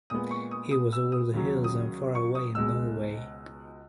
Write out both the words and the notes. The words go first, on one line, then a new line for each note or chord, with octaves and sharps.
He was over the hills and far away in Norway.
A#2 G#3 B3 D#6
C#6
D#6
D#6
E6
D#6
D#2 C#3 F#3
D#6
C#6
D#6
C#2 B2 G#3 E6